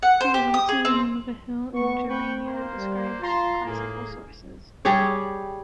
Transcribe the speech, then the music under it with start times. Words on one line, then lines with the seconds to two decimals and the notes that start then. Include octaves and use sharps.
It was also the name of a hill in Germania described by classical sources.
0.03 F#5
0.20 C5
0.34 G4
0.54 D#6
0.69 G#4
0.85 C4
1.73 B3 C#6
2.08 C4 B4 G5 C#6
2.44 A#3 C5
2.77 G3
3.21 F4 A5 A#5 C6
3.65 A2 A#3 G#4
4.85 G3 G4 G#4 C#5